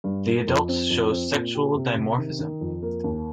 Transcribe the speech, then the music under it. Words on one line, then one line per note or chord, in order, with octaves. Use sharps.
The adults show sexual dimorphism.
G2
A#3
F2
C4
F2
C4
A#2
G4
C3
C3
D#3
D#3
F2
A#3
D#2